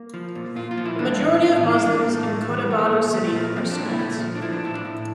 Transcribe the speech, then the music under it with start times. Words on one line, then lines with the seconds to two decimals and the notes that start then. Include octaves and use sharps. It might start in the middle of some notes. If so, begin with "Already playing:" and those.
The majority of Muslims in Cotabato City are Sunnites.
Already playing: A#3
0.14 F3
0.35 A#2
0.56 A#2 F4
0.71 F4
0.78 F3
0.85 E4
0.99 E3 D4
1.21 A2
1.42 A2 E4
1.53 E4
1.63 E3 F4
1.74 E4
1.85 E3 D4
1.99 A#3
2.06 A2
2.13 A3
2.27 A2 A3
2.42 A3
2.50 E3
2.57 G3
2.70 F3 A3
2.78 A#3
2.85 A3
2.92 A#2
3.14 A#2 G3
3.28 A3
3.35 F3
3.42 A#3
3.56 F3 C4
3.70 D4
3.77 A#2
3.85 E4
3.99 A#2 A3
4.10 A3
4.20 F3
4.35 D4
4.42 F3 E4
4.53 D4
4.64 A2 E4
4.74 D4
4.85 A2 E4